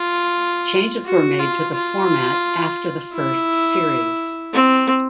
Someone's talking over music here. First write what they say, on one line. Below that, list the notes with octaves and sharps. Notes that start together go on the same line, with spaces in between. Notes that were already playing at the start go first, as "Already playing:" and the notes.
Changes were made to the format after the first series.
Already playing: F4
F#4
F4
F4
E4
C4